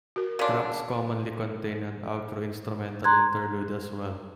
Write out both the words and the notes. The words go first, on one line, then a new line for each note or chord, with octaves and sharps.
Tracks commonly contain an outro instrumental interlude as well.
F#4 A#4
C#3 D4 A#4 D5 C6
A#5 C6 F#6 G#6